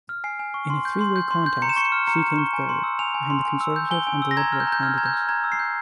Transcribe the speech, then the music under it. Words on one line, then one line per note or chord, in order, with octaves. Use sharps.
In a three-way contest she came third, behind the Conservative and the Liberal candidate.
F6
G#5 C7
G#5
C#6
C6
G6
C6
G6
C6
G6
A#5 C#7
E7
C#6 C#7
F6
A#5 C#7
A#5
C#6
G#5
C6
E6
G#5 F7
G#5
C6
G#5
E6
G6
G#5 G7
G#5
E6
A#6
A#5 G#6
F6
G6
A#5
G6
F6 G#6
A#5 G#6
G6
F6
A#5 G#6
E6
C7
G6